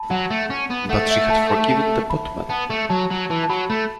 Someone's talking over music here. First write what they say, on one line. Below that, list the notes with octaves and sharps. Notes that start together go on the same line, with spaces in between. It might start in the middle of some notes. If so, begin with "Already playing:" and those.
But she had forgiven the pot man.
Already playing: A5 B5
F#3 F#5
A3
C#4
B3
A3 F#5
E5
A5
A5
A5
B5
B3 A5
A3
F#3 A5
F#3
E3 A5
A5
F#3 B5
A3 B5